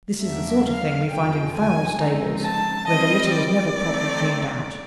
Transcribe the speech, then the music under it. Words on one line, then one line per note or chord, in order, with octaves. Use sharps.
This is the sort of thing we find in foul stables, where the litter is never properly cleaned out.
E2 C#3 F#3 A#3 D4 E5
F5
F2 D3 F3 G#3 G5
G#5
C#3 F3 G#3 C4 D#4
A5
E3 G3 C4 D#5
D5
E3 A3 C4 D#4